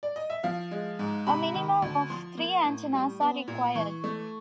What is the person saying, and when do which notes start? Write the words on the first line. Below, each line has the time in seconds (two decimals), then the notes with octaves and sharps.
A minimum of three antennas are required.
0.03 D5
0.16 D#5
0.30 E5
0.43 F3 F5
0.71 G#3
0.99 G#2
1.27 C3 B5
1.54 D#3
1.82 D2
2.10 F3 C6
2.38 A#3
2.65 A2
2.92 G3
3.20 B3
3.48 A#2
3.75 E3 C#6
4.04 A3